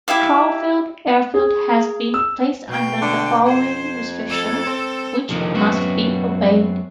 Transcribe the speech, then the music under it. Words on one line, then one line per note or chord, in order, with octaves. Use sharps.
Crowfield Airfield has been placed under the following restrictions which must be obeyed.
E4 G4 E5 F5
G#4
E6
B2 G5
D3
F2 C5
A4
C4
F2 C3 D#3 F3
F#2 B3 C4 F#4